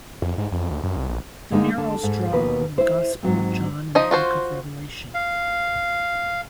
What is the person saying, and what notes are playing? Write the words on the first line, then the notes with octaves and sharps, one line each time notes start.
The murals draw on the Gospel of John and the Book of Revelation.
F2
G#2
F2
D2
F#2
C2
A#1
D3 G#3 A#3 D#4
D3 D4
G#2
D#2 B2 B4
E4 C5
G#2 F#3 C4
F3 D#4 D#5
F4 F#4 C5
F5